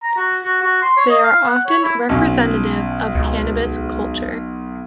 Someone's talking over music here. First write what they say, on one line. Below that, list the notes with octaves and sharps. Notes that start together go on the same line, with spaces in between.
They are often representative of cannabis culture.
A#5
F#4
F#4
F#4
C6
C#5
D#5
F5
F#5
C#5
E4
B1 C#4
C#2